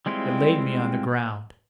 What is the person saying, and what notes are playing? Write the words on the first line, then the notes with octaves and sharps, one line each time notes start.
It laid me on the ground.
G3 G#3 C4 E4 F4